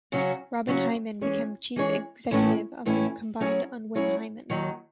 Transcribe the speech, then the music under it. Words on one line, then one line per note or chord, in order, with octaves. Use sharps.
Robin Hyman became chief executive of the combined Unwin Hyman.
C#3 F#3 C#4 F#4
C#3 F#3 C#4 F#4
E3 G#3 C#4 G#4 C#5
E3 G#3 C#4 G#4 C#5
A2 E3 A3 C#4 E4
A2 E3 A3 C#4 E4
F#3 C#4 E4 G#4 C#5
F#3 C#4 E4 G#4 C#5
D#2 D#3 F#3